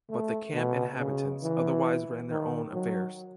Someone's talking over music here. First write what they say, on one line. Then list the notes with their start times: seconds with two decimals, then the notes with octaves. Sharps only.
But the camp inhabitants otherwise ran their own affairs.
0.10 A3
0.54 B2
0.98 C#3
1.43 E3
2.29 D#3
2.74 F#3